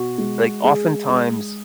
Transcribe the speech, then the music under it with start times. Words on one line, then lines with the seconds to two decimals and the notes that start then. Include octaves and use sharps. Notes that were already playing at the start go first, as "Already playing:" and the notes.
like, oftentimes,
Already playing: B2 F#4
0.18 G#3
0.64 G#3 G#4
1.09 G#3